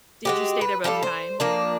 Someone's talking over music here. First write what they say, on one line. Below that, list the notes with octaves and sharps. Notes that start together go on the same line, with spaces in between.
Did you stay there both times?
G#3 F#4 G4
B4
F3 G3 F4 A4
C5
F3 A#3 D4